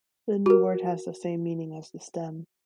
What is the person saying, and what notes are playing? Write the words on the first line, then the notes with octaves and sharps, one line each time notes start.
The new word has the same meaning as the stem.
F#4 A#4